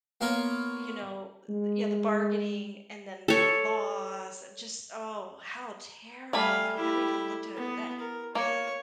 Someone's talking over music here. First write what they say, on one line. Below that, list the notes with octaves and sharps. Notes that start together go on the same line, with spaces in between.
you know, eh, the yeah, the bargaining and then the loss, and just Oh, how terrible, I never even looked at it that
A#3 B3 F4 A#4 C#5 A#5
G#3
A4 C#5
G3 A3 F5 G#5 B5
E4 G4
B3
A#4
A#3 C#5